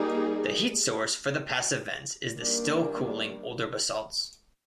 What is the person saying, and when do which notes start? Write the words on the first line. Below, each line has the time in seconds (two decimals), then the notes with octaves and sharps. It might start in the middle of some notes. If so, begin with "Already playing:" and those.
The heat source for the passive vents is the still-cooling older basalts.
Already playing: G3 A#3 D#4 G#4
2.36 D#3 G3 A#3 D4